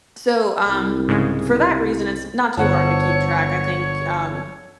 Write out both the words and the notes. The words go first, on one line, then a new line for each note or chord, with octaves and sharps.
So, um, for that reason, it's not too hard to keep track. I think, um,
C2
G#2 C#3 G#3
G1 A4 C5 C#5 F#5